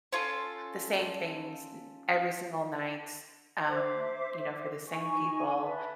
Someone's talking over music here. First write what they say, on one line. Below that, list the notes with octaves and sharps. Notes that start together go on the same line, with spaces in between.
the same things n every single night, um, you know, for the same people,
C#4 F4 A4
C5 E5 D6
D#4 G#5 C#6
B4 E5 A5